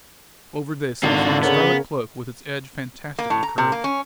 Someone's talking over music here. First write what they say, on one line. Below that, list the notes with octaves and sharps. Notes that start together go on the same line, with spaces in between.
Over this he flung a scarlet cloak with its edge fantastically curved.
G#1 D3 F4 F#4
C#3 B3 A#4 C#5
A#3
A2
A#5
C3
A#3
C#4